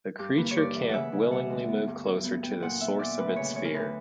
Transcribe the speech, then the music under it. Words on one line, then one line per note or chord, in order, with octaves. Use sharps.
The creature can’t willingly move closer to the source of its fear.
G2 G4
A#3 B4
C#5
G2 D5
E3
C#3 E5 F#5
C#3
G3 F#5
D2
B3
G2
F#3
B3
B3 G5
A#2 F#5
B3 E5
A#2 D5
D2 B4
C#3 C#5
D2 C#5
A#4
D2 B4